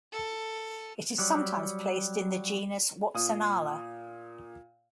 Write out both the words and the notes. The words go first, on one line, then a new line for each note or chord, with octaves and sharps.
It is sometimes placed in the genus "Watsonalla".
A4
F#3 G3
A#2 D#6